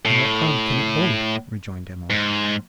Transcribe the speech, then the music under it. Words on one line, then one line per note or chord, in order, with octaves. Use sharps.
'And what harm can it bode?' rejoined Emily.
A2
G#2